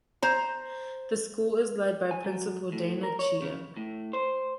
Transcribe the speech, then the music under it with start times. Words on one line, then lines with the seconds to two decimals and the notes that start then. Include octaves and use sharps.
The school is led by Principal Dayna Chia.
0.22 C5 A#5
2.11 G#5
2.24 F#3
2.72 A2
3.03 A#4
3.19 C#5
3.42 C#3
3.77 A2
4.13 C5